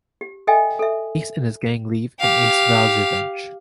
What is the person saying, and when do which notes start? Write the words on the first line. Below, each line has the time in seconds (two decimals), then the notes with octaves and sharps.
Ace and his gang leave and Ace vows revenge.
0.21 G4
0.47 A4 D#5 E5 G5 G#5
0.79 A4 E5
2.20 G4 F5